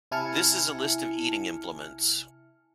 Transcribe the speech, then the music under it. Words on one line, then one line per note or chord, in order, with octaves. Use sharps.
This is a list of eating implements.
C3 E4 G#5 A5 F6 C#7